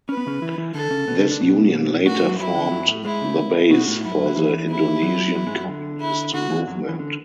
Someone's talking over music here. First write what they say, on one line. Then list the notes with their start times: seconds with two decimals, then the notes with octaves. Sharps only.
This union later formed the base for the Indonesian communist movement.
0.09 C#4 B4
0.17 B3
0.27 C#3 C#4
0.42 E3 E4
0.58 E3 E4
0.74 D3 D4 A4
0.90 C#3 C#4
1.07 B2 B3
1.18 C#3 C#4
1.29 D3 D4
1.41 B2 B3
2.06 A2 A3 F#4
2.23 F#2 F#3
2.39 F#2 F#3 E4
2.55 D3
2.71 F#2 F#3
2.88 A2 A3
3.04 G#2 G#3 E4
3.22 C#3
3.71 B2 F#4
3.88 A2
4.04 F#2 E4
4.15 F#2
4.26 D3
4.36 E2 E3
4.70 E4
5.02 F#2 F#3
5.35 F#2 F#3
5.47 G#2 G#3
5.57 F#2 F#3
5.68 D3
6.01 E4
6.34 D3 F#4
6.50 E2 E3
6.67 F#2 F#3
6.89 E2 E3
6.99 D3